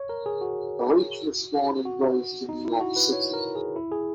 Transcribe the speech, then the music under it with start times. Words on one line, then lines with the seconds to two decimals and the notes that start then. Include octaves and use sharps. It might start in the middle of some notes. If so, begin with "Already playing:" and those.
Kalich was born and raised in New York City.
Already playing: C#5
0.09 A#4
0.26 G#4
0.41 F#4
1.85 F#4
2.49 D#4
2.65 E4
2.80 F#4
2.96 B4
3.13 C#5
3.34 A#4
3.55 G#4
3.76 E4
3.92 G#4